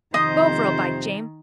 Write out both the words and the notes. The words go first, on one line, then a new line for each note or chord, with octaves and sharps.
Bovril, by James.
F2 C3 D#3 C5 D#5 D#6